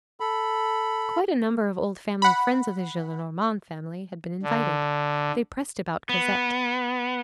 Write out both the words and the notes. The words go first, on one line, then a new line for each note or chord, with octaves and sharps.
Quite a number of old family friends of the Gillenormand family had been invited; they pressed about Cosette.
A4 B5
F#5 B5
D3
B3